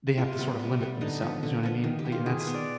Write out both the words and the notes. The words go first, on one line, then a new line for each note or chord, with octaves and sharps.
they have to sort of limit themselves, you know what I mean? Like, and that's
C3 F4
G3 B3
C3
G3 B3
D3 D#4
F3 B3
D3
F3 B3
D#3
G4
B3
F4
D#3 G#4
B4
B3
D5